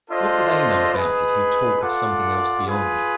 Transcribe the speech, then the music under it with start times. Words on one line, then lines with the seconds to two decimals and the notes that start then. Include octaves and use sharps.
What do they know about it who talk of something else beyond?
0.10 D4 F4 A4 C5 D#5
0.94 D#4 G#4 B4
1.81 F4 A4 D5 F#5
2.65 F4 G#4 B4